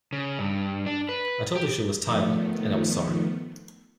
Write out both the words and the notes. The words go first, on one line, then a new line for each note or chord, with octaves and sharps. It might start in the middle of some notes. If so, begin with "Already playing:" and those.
I told her she was tired, and I was sorry.
C#3
G2
D4
B4
G4
D#3 F3 A3 B3